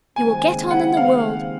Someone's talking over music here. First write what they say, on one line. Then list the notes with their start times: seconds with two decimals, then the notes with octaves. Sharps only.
You will get on in the world!
0.15 D#2 C#3 G#3 C4 G#5
0.71 F#5
0.97 F5